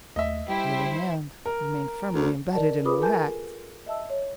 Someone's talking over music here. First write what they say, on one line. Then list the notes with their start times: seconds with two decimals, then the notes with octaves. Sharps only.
The other hand remained firmly embedded in the wax.
0.16 D#2 A3 D#5 E5
0.49 G3 E4 G4 C5
1.46 A#4
2.14 D2
2.53 A#4 D5 D#5 A5
2.85 F4 G#4 B4 B5 D6 D#6
3.02 A4 A#4 G#5 A5 G6
3.86 D#5 E5 A5 E6
4.10 C#5